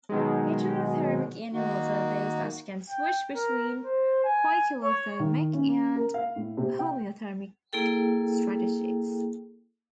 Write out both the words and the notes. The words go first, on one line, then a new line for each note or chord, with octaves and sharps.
Heterothermic animals are those that can switch between poikilothermic and homeothermic strategies.
B2 D#3 F#3 G#3
D#3 A#3 D#4 F#4
G5
A#4
C5
G#5
C#5
D#3
C#4
A#4
F5
A2
C3
G5
A#3 E4 G#4 A4 G5